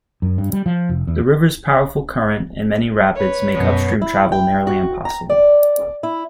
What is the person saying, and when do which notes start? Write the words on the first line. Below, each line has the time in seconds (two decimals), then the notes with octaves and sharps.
The river's powerful current and many rapids make upstream travel nearly impossible.
0.22 F#2
0.38 G2
0.53 G3
0.66 F3
0.89 F1
1.07 E2
3.15 B4 C#5
3.54 F#2 B2
4.02 E4
4.32 G5
4.67 F#4
5.05 A#5
5.30 D5
6.03 E4